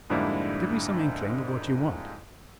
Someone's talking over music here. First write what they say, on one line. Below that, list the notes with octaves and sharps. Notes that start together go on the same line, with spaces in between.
Give me some inkling of what you want.
F2 G#2 D3 G3 A#3 E4